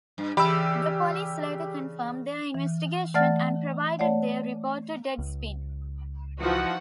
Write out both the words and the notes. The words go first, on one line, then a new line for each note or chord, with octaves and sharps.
The police later confirmed their investigation and provided their report to Deadspin.
G2
C#3 E3 G4 D5 B5 E6
E3
E3 A3 D5 F#5 F6 A6
A3 C#5 D5 F#5
C#2
E3 F3 D#4 F#4 F#5